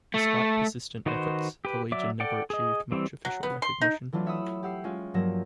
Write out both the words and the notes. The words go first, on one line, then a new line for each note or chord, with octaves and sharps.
Despite persistent efforts, the Legion never achieved much official recognition.
A3
D#3 D#4 F#4 B4 C5
G4 B4
F#3 D5 E5 D6
A4 D5 F#5 G5
G#4 D#5
E3 G3 C4
F#3
B3
C6
D#4
E3 F#3 A3 D4 F4
C#5 E5 F#5 B5 D#6 E6
G4 F#5 E6 C7
G#3 C#4 F4
G2 F3 F#3 A#3 A#6 E7